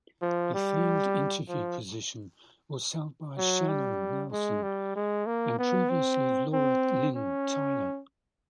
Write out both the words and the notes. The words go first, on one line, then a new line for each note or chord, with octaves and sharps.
The field interviewer position was held by Shannon Nelson, and previously Laura-Lynn Tyler.
F3
G3
F3
F#3
G3
G#3
G3
G#3
A#3
B3
C4
C4
C#4